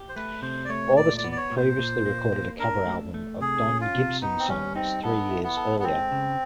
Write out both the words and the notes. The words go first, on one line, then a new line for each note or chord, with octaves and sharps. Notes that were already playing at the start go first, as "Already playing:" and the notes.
Orbison previously recorded a cover album of Don Gibson songs three years earlier.
Already playing: G4
C5
A3 B4
C3 C5
D5
A3 C#5
A#2 D5
D5
B3
D5
C#5
A#2
C5
A#2
A#3
A#3
D4 A#4
A3
A3
C3 G#4
C#4
F4
C3
B3 D#4
C4
G3 C#4
C4 D#4
B3 A4
E4
B3
A4
B3
G#3 C4
C#3